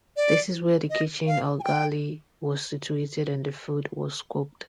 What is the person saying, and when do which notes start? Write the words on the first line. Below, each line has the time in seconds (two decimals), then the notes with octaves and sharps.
This is where the kitchen, or galley, was situated and the food was cooked.
0.17 D5
0.90 D#5
1.27 F5
1.60 G#5
1.64 G5